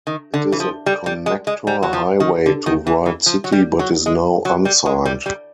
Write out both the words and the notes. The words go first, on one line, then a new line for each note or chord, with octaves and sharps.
It is a connector highway to Wright City, but is now unsigned.
D#3
D3
E3
F3
G3
G3
G#3
G#3
G3
F#3
F3
D#3
D3
D#3
E3
E3
F3
F#3
G3
F#3
G#3
F#3
G3
G#3
G3
G3